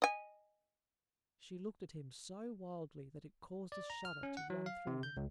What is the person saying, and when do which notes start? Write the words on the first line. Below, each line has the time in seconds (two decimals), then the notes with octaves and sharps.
She looked at him so wildly that it caused a shudder to run through him.
0.02 D#5 G#5
3.72 D5
3.90 A#5
4.05 F6
4.23 C#4
4.37 F#5
4.50 F#3
4.66 F5
4.87 C3
5.03 G6
5.17 C#2